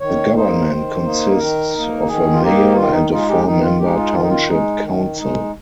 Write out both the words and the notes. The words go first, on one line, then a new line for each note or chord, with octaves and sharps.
The government consists of a Mayor and a four-member Township Council.
D#3 C#5
A#3 D#4 C5
D#3
A#3 D#4
D#3 A#4
A#3 D#4
D#3 G#4
F4
A#3 D#4 G4
D#3 F4
D#4
G#3 D#4 F4
G#4
G4
D#3 D#4
F4
G#3 D#4 G4
F4
D#3 F4
D#4
F4
G#3 D#4
D#3
G#3 D#4